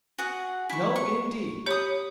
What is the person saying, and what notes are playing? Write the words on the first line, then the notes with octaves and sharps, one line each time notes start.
"No, indeed."
F#4 G#4 F#5
E4 C#6
C#6
G4 C#5 B5 D#6